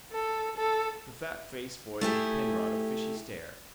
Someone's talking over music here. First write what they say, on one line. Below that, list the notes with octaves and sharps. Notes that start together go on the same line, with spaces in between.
The fat-faced boy gave Penrod a fishy stare.
A4
A4
A3 E4 G4 G#4